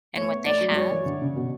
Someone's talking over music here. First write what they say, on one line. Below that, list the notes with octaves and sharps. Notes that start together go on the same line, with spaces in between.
and what they have
A3 C#5
B3
A3 D5
F#3
G#3
F#3 C#5
E3
D3
C#3
B2